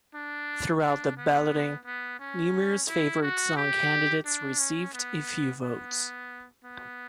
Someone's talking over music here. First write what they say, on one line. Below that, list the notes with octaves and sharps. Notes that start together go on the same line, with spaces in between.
Throughout the balloting, numerous favorite son candidates received a few votes.
D4
D4
B3
B3
C#4
E4
F#4
G4
D4
C#4
B3
B3
B3